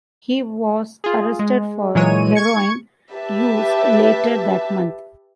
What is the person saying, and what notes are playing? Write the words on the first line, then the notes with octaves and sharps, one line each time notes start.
He was arrested for heroin use later that month.
F4 G#4
G#3
A#2 E3 F#3 G#3 C#5 D#7
C#6 G#6 C#7
G4 B4 E5 A5